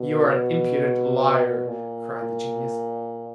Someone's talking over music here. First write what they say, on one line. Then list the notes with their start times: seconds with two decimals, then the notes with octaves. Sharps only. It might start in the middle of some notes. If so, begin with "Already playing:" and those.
"You are an impudent liar!" cried the genius.
Already playing: B2
1.68 A#2